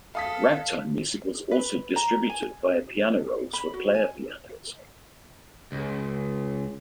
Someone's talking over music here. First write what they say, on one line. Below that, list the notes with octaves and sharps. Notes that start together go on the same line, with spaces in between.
Ragtime music was also distributed via piano rolls for player pianos.
A4 F5 D#6 B6
B4
A#5
G#5
B5
F#4
G#5
C#2